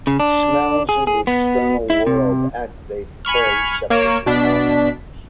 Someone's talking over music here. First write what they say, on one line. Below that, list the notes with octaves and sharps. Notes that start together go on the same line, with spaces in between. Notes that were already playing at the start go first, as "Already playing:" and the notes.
Smells in the external world activate hair receptors in nostrils.
C#3
D4
G#4
G#4
B3
E4
C3
G#5 B5 C#6 F6
A#3 C#5 D7 E7
B2 D4 B6